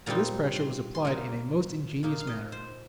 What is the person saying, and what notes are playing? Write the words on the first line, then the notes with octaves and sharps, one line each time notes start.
This pressure was applied in a most ingenious manner.
A#2 G3 C4 D#4 A#5
C6
C6
A#2 A#3 D#4 A#5
A#2 A#3 D#4
F5
D#5
C5